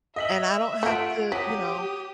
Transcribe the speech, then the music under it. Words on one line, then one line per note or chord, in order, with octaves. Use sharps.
and I don't have to, you know,
D#5 E5 B6 F#7
A3 F4 F#5 B6 D7
F#3 G4 D#6 B6